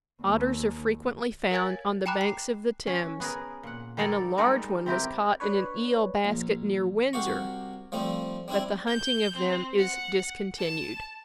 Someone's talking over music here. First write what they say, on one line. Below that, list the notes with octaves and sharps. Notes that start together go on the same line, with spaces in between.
Otters are frequently found on the banks of the Thames, and a large one was caught in an eel-basket, near Windsor, but the hunting of them is discontinued.
D#2
A#4 C#5 F5 G#5 G#6 A6
G5 G#5 A#5 B5 D6 F#6
C7
C#4
B3 G#4 A#4
A#2 F#5
G3 D#4 A4 A#4 D5
G3 G#3 D#4 A4 A#4 D5
C4 E4 G4 A#4
D4 B4 C#5
A#1
C2 F#4 G4 F5 C#6
F3 G3 A3 C4
G3 C4 D4 E4
G6
C4
F#5
A5